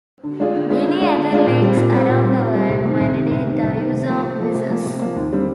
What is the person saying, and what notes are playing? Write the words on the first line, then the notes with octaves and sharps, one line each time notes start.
Many other leagues around the world mandate the use of visors.
D3
G#3 D4 F4 G#4
D3
G#3 D4 F4 G#4
D3
G#3 D4 F4 G#4
D3
G#3 D4 F4 G#4
A#2
G3 C4
A#2
G3 C4
A#2
G3 C4
A#2
G3 C4
C2
C3 D#3
C2
C3 D#3
C2
C3 D#3
C2
C3 D#3
C3
F3 A#3
C3
F3 A#3
C3
F3 A#3
C3
F3 A#3
D#2
D3 G3 C4